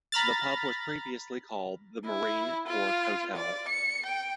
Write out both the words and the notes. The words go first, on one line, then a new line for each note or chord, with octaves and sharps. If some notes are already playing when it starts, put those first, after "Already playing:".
The pub was previously called the Marine Court Hotel.
A#5 B5 F6 A6
E4
F4
D5
C#7
G5